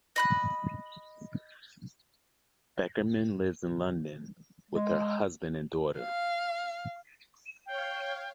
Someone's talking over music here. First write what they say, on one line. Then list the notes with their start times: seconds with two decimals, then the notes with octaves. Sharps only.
Beckerman lives in London with her husband and daughter.
0.16 D#5 B5 F#6
4.71 G#3
5.98 F5
7.66 C#5 F5 G5